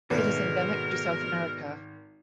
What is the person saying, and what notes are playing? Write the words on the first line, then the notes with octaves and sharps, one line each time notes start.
It is endemic to South America.
G#1 B2 G#3 A3 B3 A#4 B4